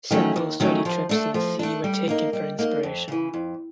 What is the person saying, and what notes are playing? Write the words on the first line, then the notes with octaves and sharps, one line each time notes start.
Several study trips to the sea were taken for inspiration.
D#3 F#3 A3 C#4
D#2
D#3 F#3 A3 C#4
F3
A3 D4
F3
A3 D4
G3
A#3 D#4
G3
A#3 D#4
F2
C#3 E3
F2